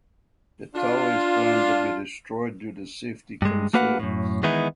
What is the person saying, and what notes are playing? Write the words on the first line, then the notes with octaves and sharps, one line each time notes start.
The tower is planned to be destroyed due to safety concerns.
D4 F4
G2 G#3
A3 A#3 F#4 B4 F5 F#5
F#2 A2
D#3 E3 G#3 B3 D#4 E4